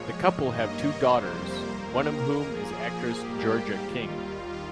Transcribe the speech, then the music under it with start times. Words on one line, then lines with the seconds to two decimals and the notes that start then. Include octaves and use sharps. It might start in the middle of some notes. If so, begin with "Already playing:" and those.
The couple have two daughters, one of whom is actress Georgia King.
Already playing: A#2 F3 G#3 C#5
0.30 G2 D#3 A#3 D#5
0.65 C#5
1.00 F2 C3 G3 A#3 C5
1.70 D#2 D#3 A#3 A#4
2.41 A#2 F3 A#3 G#4
3.10 G#2 G3 A#3 G4
3.81 D#2 D#3 G3 F4